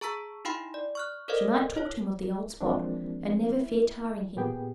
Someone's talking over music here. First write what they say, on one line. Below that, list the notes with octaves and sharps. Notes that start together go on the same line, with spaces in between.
She might talk to him of the old spot, and never fear tiring him.
G#4 A5 A#5 C#6 E6 B6
D#4 E4 F5 G5 B5 C6
D5
C#6 F6 F#6
A4 A#4 C5 D5 D#5 F5
E4 C#5
E3 F3 G#3 A#3 C4 D4
E4
A#2 B3 G4 G#4 G5